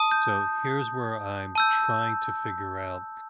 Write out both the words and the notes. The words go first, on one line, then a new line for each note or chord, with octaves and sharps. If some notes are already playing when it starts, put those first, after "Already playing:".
So, here's where I'm trying to figure out.
Already playing: A5 D#6
G6
A5 E6 G6